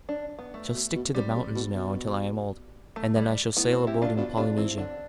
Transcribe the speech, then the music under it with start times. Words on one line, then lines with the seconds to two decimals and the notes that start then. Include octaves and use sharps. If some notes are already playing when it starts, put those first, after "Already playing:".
I shall stick to the mountains now until I am old, and then I shall sail a boat in Polynesia.
0.09 D4
0.39 B3
0.54 A3
0.74 B2
0.95 B2
1.15 C3 G3
1.35 C3
1.54 B2
1.75 B2
2.96 A3
3.16 G3
3.56 A2 B3
3.72 C4
3.87 E4 G4
4.02 D4 F4
4.17 B2 D4 F4
4.37 C3 D4 F4
4.57 E3 C4 E4
4.78 D3 D4